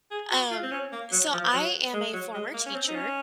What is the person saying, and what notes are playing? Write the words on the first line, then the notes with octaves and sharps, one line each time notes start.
Um, so I am a former teacher
G#4
F#4
F4
C4
C#4
A#3
F#3
F3
F#3
G#3
F#3
G#3
A#3
C#4
C4
D#4
C#4